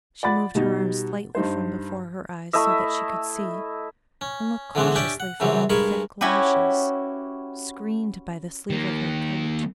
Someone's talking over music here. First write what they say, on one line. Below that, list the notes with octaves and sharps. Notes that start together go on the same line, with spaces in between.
She moved her arm slightly from before her eyes so that she could see, and looked cautiously from under thick lashes, screened by the sleeve of her coat.
D5 F#5 B5 A6
B2 G3 D#4
G2 D#4 C5
A3 E4 D#5 E5
C#4
D3 E3 G#3 B3 C4 D4
C#4 D4 G4 D5 E5 G5
F#5
F#2 C#3 E3 F#3 G3 C4
G2 G#3 G#4 A#4 B5 C#6
C#4 E4 F#4 G4 B4
D#3 A#3